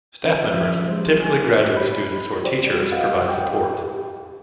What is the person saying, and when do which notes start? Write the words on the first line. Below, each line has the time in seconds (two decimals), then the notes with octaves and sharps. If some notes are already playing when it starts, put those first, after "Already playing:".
Staff members, typically graduate students or teachers, provide support.
0.24 C#4
0.49 F3 E5
0.86 G3 G#3 C5
1.16 G#4
1.77 B5
2.43 F#4 G4 C5 D5
2.73 G3 F#4
2.92 F#4 G4 B4 D#5 F5 F#5
3.29 G5
3.84 G4